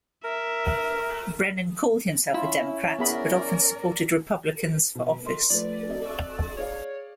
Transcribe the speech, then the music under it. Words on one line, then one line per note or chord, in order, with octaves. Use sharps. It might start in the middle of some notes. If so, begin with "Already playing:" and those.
Brennan called himself a Democrat, but often supported Republicans for office.
A#4 E5
C#4 E4 F4
B3 G#4 A#4 D5 B5
B2
A#4 D#5 C6
F3 A3 B4 D5
C4 D#5
G#4 C#5 D5 F5